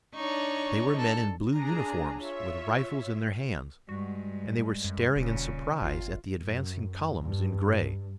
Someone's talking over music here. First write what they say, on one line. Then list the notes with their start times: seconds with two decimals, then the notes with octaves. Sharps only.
They were men in blue uniforms with rifles in their hands, and they were staring in surprise at the advancing columns in gray.
0.15 D4 D#4 C#5 C#6
0.98 A4
1.54 D4 G#4 A#5
2.18 F4 C#5 E5
3.89 G2 G#3 F#4
4.84 F#2
5.16 D#1 A#2 C#3
5.82 G1 F4
6.41 F#2
7.26 G2